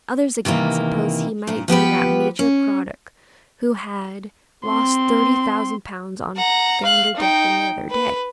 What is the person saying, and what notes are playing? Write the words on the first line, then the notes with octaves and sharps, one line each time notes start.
Others, again, supposed he might be that Major Craddock who had lost thirty thousand pounds on Vanderdecken the other day.
C3 D#3 E3 A#3
G2 A#2
F3 B3 G4 B4
C#4
C4 C6
F#5 A#5
F5 F#6
D#4 G5
B4